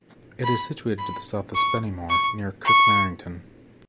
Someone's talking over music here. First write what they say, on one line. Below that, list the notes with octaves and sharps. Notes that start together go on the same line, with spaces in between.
It is situated to the south of Spennymoor, near Kirk Merrington.
B5
B5
C#6
C#6
C#6